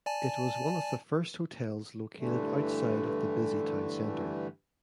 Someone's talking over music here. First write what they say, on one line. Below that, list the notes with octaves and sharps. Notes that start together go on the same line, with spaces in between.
It was one of the first hotels located outside of the busy town centre.
D5 G#5 A5
G2 D3 E3 A3